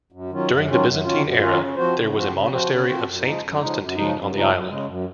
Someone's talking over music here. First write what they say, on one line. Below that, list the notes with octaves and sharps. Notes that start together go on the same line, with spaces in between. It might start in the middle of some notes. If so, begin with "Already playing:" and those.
During the Byzantine era, there was a monastery of Saint Constantine on the island.
F#2
D#3 F#3 C#4 F4
F#2
D#3 F#3 C#4 F4
F#2
D#3 F#3 C#4 F4
F#2
D#3 F#3 C#4 F4
C#3
F3 C4 F#4 C5
C#3
F3 C4 F#4 C5
C#3
F3 C4 F#4 C5
C#3
F3 C4 F#4 C5
F#2
C#3 F3 G#3 D#4
F#2
C#3 F3 G#3 D#4
F#2
C#3 F3 G#3 D#4
F#2
C#3 F3 G#3 D#4
F#2
C#3 G#3
F#2